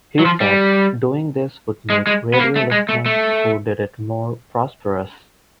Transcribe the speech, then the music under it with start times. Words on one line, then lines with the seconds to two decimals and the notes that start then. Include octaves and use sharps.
He said doing this would make radio listeners who did it more prosperous.
0.19 F#3
0.25 F3
0.41 G3
1.90 G#3
2.07 G#3
2.34 B3
2.40 A#3
2.56 A3
2.72 G#3
2.89 A3
3.06 A3